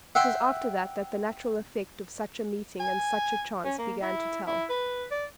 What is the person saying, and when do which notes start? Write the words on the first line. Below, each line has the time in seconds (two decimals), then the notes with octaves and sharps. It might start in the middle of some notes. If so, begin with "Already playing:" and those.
It was after that that the natural effect of such a meeting and such a chance began to tell.
0.15 E5 F#5 G5 C6
2.80 G#5
3.64 C#4
3.78 A#3
4.03 E4
4.47 E4
4.70 B4
5.11 D5